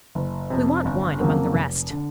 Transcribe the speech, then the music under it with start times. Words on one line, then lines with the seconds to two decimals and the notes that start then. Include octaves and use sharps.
We want wine, among the rest.
0.15 F#1
0.50 F2 C3
0.85 G1
1.20 F2 C#3 F#3 A#3
1.54 F1
1.90 D3